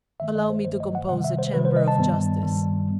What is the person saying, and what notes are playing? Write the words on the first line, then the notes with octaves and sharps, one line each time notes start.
"Allow me to compose a chamber of justice."
G2 D#3 A3 E5
D#5
C5
G2 D#3 A3 C5
D#5
F#5
C3 D#3 G3 F#5
E5
C5
C3 D#3 G3 B4
C5
D#5
A5
G2 D#3 G3 B3
G2 D#3 G3 B3